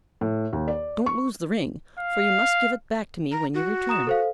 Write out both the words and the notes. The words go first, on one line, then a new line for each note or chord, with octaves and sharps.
Don't lose the ring, for you must give it back to me when you return.
A2
D#2
D5
C#6
F5
A#5
F#4
A#5 D#6 E7
A4 C5 F5